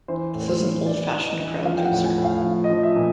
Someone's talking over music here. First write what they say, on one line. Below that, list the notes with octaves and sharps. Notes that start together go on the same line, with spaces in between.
This is an old-fashioned crowd-pleaser.
E3 C5
A2
C5
E3
E3 D5
E3
D#5
E3
F3 F5
G5
F#5
A2
G#5
A2
F5
F3
D#5
F3
E5
A#2